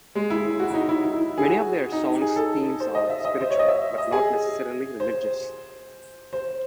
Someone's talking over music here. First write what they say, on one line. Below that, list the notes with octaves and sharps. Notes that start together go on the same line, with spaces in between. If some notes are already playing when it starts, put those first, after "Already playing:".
Many of their songs' themes are spiritual, but not necessarily religious.
G#3
E4
F#4
E4
D#4
E4
E4
G#4
F#4
D#4
G#4
A4
C5
D#5
E5
D#5
C5
C#5
D#5
E5
D#5
G#4
C5
C5